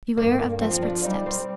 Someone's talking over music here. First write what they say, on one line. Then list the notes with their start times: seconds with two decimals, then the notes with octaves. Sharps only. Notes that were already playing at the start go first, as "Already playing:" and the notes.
Beware of desperate steps!
0.17 G2 A#3
0.39 A#3
0.61 F3 C4
0.83 D4
1.05 G3 D#4
1.26 C4